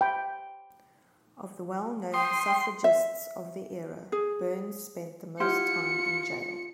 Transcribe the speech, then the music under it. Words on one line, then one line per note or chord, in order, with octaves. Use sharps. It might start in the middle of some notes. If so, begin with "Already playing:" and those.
Of the well-known suffragists of the era, Burns spent the most time in jail.
G5 B5
G5 C6 D#6
E5
G#4
E4 F4 G4 F#5 C6 F6 C#7